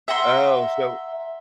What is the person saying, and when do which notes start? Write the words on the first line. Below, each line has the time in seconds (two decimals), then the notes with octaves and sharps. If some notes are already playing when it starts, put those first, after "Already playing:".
Oh, so
0.08 E5 F#5 A#5 C6